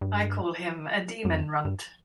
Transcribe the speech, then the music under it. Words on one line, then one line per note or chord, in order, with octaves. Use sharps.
I call him a demon runt.
G2
F#2
F2
G2